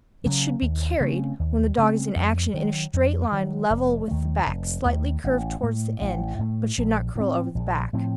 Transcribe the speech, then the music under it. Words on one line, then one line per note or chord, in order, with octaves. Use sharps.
It should be carried, when the dog is in action, in a straight line level with the back, slightly curved towards the end, but should not curl over the back.
C#3 F#3 A#3
D#2
C#3 A3 C4
D#2
C#3 A3 C4
F2
D#3 F#3
F2
D#3 F#3
F1
D#2 D#3 A3
F1
D#2 D#3 A3
A1
A2 A3
A1
A2 A3
A#1
A2 F3 C4
A#1
A2 F3 C4